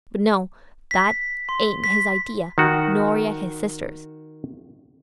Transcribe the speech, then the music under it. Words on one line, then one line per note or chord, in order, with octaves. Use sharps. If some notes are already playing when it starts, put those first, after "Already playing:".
But no, that ain't his idea, nor yet his sister's.
B6
C6
B6
D#3 F#4